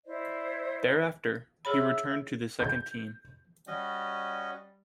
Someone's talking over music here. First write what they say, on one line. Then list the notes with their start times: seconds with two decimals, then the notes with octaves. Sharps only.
Thereafter, he returned to the second team.
0.05 E4 C5 D5 D#5
1.65 G#4 C#5 E5 B5 E6
2.60 G6
3.67 G3 C#4 F#4 D#5